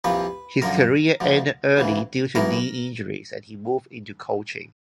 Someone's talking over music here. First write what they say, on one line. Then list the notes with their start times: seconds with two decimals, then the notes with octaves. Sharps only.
His career ended early due to knee injuries, and he moved into coaching.
0.04 C2 A#2 F3 B4
0.62 F#2 D3 F3 A#4
1.20 D2 D3 F3
1.77 D2 C#3 E3
2.35 B1 A2 E3 A#4